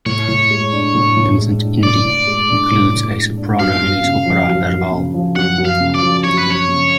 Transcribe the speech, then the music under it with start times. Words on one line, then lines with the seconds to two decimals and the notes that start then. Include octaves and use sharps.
Vincent d'Indy includes a soprano in his opera Fervaal.
0.06 A2 C#5
0.28 A2
0.50 G#3
0.72 D4
0.95 A2
1.17 A2
1.38 G#3
1.60 D4
1.83 A2 D5
2.05 A2
2.27 G#3
2.49 D4
2.71 A2
2.93 A2
3.15 G#3
3.37 D4
3.59 F#2 F5
3.81 F#2
4.04 C#3
4.26 F3
4.48 F#2
4.70 F#2
4.92 C#3
5.14 F3
5.36 F#2 F#5
5.58 F#2
5.65 F5
5.80 C#3
5.95 D5
6.02 F3
6.24 F#2 C#5
6.38 B4
6.46 F#2 C#5
6.68 C#3